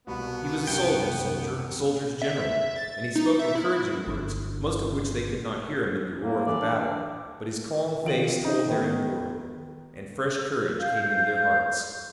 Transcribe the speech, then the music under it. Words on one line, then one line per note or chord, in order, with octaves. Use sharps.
He was a soldier's soldier, a soldier's general, and he spoke encouraging words, most of which they could not hear amid the roar of the battle, but his calm face told their import, and fresh courage came into their hearts.
C2 B2 B3 B5
F#2 C3 D#3 G5
E5
A6
D#4
E5
E4
G1 D4
A#3
E3 D5
D4
D#3 F3 D7 F#7
D#4
D#3 B3
F5 G6